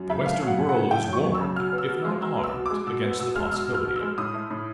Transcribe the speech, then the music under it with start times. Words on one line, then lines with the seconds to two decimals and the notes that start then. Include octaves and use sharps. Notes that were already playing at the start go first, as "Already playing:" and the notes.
The Western world is warned, if not armed, against the possibility of it.
Already playing: F#2
0.10 C#3 E5
0.26 A3 F5
0.42 F#3
0.47 F#5
0.58 F#2
0.69 F#5
0.75 C#3
0.91 A3 G5
1.08 F#3
1.13 C#6
1.24 F#2
1.34 E6
1.41 C#3
1.56 B2 F6
1.73 B3
1.78 E6
1.89 B2
2.05 G#3
2.21 B2 E6
2.38 B3
2.44 E6
2.54 B2
2.66 G#3 D6
2.87 B2 E6
3.04 B3
3.20 B2 E6
3.36 G#3 F6
3.53 B2 E6
3.69 B3
3.74 F6
3.85 B2
3.96 E6
4.01 G#3
4.18 A2 D#6
4.34 A3
4.50 A2